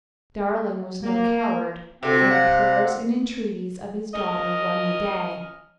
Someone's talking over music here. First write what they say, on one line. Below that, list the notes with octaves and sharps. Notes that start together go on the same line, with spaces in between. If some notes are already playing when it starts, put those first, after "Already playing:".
Darling was no coward, and the prayers and entreaties of his daughter won the day.
A#3
D2 C3 C4
F5 F#5
C#4 A#4 D#5